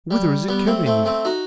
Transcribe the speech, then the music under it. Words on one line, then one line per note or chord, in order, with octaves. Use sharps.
Whither is it carrying me?
G3
G3 B3
A3 C4
A3 C4
A3 C4
D#4 F#4